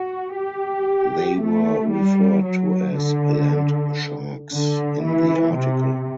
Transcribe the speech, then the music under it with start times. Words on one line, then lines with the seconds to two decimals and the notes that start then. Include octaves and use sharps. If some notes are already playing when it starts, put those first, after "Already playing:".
They were referred to as "land sharks" in the article.
Already playing: F#4
0.36 G4
1.40 A3
1.92 G3
2.44 F#3
2.96 D3
4.53 D3
5.05 E3
5.56 C3